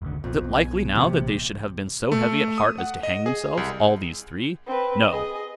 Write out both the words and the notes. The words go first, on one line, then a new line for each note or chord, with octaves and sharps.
Is it likely now that they should have been so heavy at heart as to hang themselves, all these three? No!
F1 C#2 D3
B1 F2 B2
G#5
C3 E3 A#3
A#1
A3
D#6
F#5
D#5
G#4
C2
C4 B4
G#4 D#5